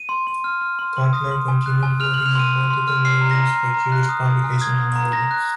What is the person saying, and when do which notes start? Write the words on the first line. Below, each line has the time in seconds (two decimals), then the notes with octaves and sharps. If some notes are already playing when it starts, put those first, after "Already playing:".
Cutler continued working in multiple mediums for Jewish publications and outlets.
Already playing: D#7
0.09 C6
0.27 C6
0.44 F6
0.61 F6
0.79 C6
0.97 C6
1.13 D#6
1.31 C6
1.48 G#5
1.66 F#6
1.83 G#5
2.00 F6 F7
2.14 F#7
2.18 F6
2.26 F7
2.35 C6 D#7
2.52 C6
2.70 C6
2.88 F6
3.05 F6 C7
3.21 A#5
3.31 A#6
3.39 A#5
3.56 A#5
3.74 A#5
3.92 F#6
4.09 D#6
4.26 D#6
4.44 G#5
4.60 D#6 G#6
4.78 D#6
4.96 A#5
5.12 A#5 A#6
5.31 F#6